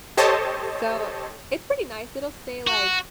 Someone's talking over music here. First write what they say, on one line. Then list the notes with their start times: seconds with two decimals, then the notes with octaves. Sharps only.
so, it's pretty nice. It'll stay, like
0.17 G4 A4 C5 C#5 D#5 A5
2.67 F#4